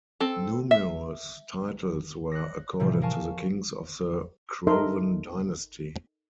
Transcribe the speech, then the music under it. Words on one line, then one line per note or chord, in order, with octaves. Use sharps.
Numerous titles were accorded to the kings of the Crovan dynasty.
C4 A4
E5
F#6 A#6
A2 C3 E3 F3 G3
A#4 F5 G#5 A5 C#6
D#4 A4 A#4 D#5 E5 C6